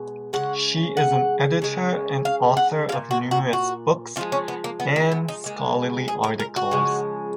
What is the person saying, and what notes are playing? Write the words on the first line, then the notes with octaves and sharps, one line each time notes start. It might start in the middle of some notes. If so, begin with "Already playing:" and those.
She is an editor and author of numerous books and scholarly articles.
Already playing: B2 G#3
C#3 G#3 F#5
F#5
C#3 G#3
F5
F#5
G#3 F5
A#2
F#4
F#4
F#4
A#2 F3 G#3 F4
C#4
B3
A#3
B3
A#3
B3
D#4
A#2 G#3
G#4
A#4
A#4
F#4
C#3 F3 G#3